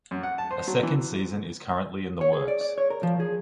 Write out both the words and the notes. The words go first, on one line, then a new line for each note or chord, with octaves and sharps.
A second season is currently in the works.
F#2
F#5
A5
C5
F#3
E3
C#5
G#4
D5
D5
C#5
A#4
F3
G#4